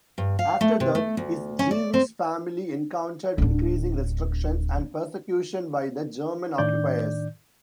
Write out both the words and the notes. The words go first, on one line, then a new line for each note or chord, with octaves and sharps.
After that, his Jewish family encountered increasing restrictions and persecution by the German occupiers.
G2
F5
A3
C3
A3
D2
C#4
D5
C4
D1 D3
A2 D#3 D4 D5 G6